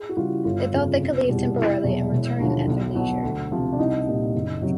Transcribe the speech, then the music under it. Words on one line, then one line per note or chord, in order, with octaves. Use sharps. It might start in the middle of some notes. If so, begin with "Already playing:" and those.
They thought they could leave temporarily and return at their leisure.
Already playing: G#4
F#4
C#3 E3 G3 F4
G1 F4
F2 C#3 F3
F1
E2 B2 G3
F1 E4
E2 B2 F#3
E1
D#2 D3 F3
B1
B2 F#3
D2
C3 F3
D4
C2 D#4
A#2 G3
F#1
C3 D#3 F#3